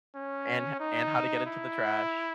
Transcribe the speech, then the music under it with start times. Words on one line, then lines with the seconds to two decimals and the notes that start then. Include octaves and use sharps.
and ho and how to get into the trash
0.15 C#4
0.80 D#4
1.46 E4